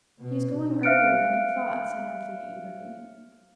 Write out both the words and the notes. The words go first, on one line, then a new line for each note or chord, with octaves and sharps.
'He's going earlier than he thought,' said Anthea eagerly.
B2
E5 F5 F6 F#6 C#7 D7